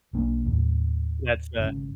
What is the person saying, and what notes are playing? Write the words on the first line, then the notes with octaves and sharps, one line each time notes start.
That's the
B1 A#3 D4
D#2 A2
G#1 C#3